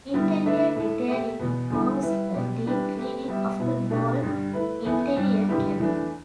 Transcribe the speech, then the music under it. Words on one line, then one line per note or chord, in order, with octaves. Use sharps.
Interior detailing involves a deep cleaning of the whole interior cabin.
D3 G3 B3 E4
D3 A3 D4 B4 E5
A2 A3 E4 A4 E5
A3 G4 E5
E2 B2 B3
E2 D3 G3 E4 A4
G3 E4 B4 E5
B2 B3 G4
E3 G3 D4 G4 B4
A3 G4 B4
G3 B3 G4 E5
B2 B3 E4
B2 A3 D4 G4
G2 D3 G3
A3 E4 B4
E2 E3 B3 E4 A4
G2 G3 D4
D3 G3 E4 G4 B4
E2 E3 A3 D4 B4